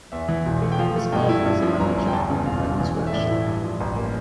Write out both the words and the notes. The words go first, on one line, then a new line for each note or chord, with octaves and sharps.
His father was a manager of a menswear shop.
E2 E5
E3
E1
A3
G5
F3 F5
A3
G2 G5
E4
G2
F3
G1 A#5
G1
G5
E2 A5
C#3
E1 F5
E1
E3
A3
E5
A2 D5
E4
G2
F3
A1
A#3